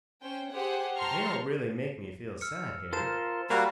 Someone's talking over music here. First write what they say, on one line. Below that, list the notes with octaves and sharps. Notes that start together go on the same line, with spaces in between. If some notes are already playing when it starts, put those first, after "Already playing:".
But they don't really make me feel sad, Harry.
C#4 C5 G5
G4 G#4 C5 F#5
G5 A5 A#5 C6 C#6 F6
E6 F6 C#7
F4 A#4 C5 A5 A6 E7
G3 A#3 F#4 C5 G#5 B5